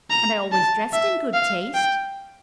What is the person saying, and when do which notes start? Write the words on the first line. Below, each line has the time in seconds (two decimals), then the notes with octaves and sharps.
"And I always dressed in good taste."
0.10 A#5
0.52 A5
0.93 E5
1.33 F5
1.74 G5